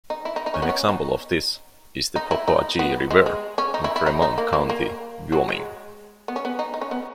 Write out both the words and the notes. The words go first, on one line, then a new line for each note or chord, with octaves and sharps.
An example of this is the Popo Agie River in Fremont County, Wyoming.
D#4
E4
D#4
D#4
C#4
B3
C#4
D#4
D#4
E4
D#4
B3
G#3
G#3
C#4
D#4
E4
E4
D#4
D#4
A#3
A#3
A#3
F#3
G#3
B3
C#4
B3
D#4
D#4
C#4
B3